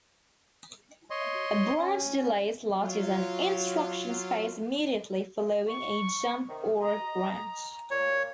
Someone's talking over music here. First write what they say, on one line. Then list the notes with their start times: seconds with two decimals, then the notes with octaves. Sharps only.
A branch delay slot is an instruction space immediately following a jump or branch.
1.10 C#5 D#5 C6
1.78 C#4
2.81 F#3 F4
5.68 C#6
6.49 C3 D#3
6.81 D#5 A#5
7.91 A#2 C#5